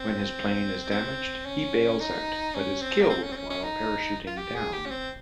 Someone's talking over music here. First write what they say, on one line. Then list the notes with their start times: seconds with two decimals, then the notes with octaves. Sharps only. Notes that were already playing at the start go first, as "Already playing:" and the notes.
When his plane is damaged, he bails out, but is killed while parachuting down.
Already playing: C4
0.92 C4
1.46 C#4
2.01 D#4
2.55 C#4
2.82 C4
3.02 A#3
3.10 C4
3.23 C#4
3.33 C4
3.37 C#4
3.50 C#4
3.64 D#4
4.27 F4
4.37 G4
4.55 G#4
4.73 G4
4.86 C#4
4.91 C4